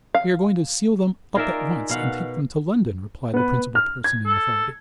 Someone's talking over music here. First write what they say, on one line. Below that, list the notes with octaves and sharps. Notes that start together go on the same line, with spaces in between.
"We are going to seal them up at once, and take them to London," replied the principal person in authority.
F5
D#4 F4 G#4 A#4 D5 E5
B2 F5 F#5
B3 B4
F6
G#6
A4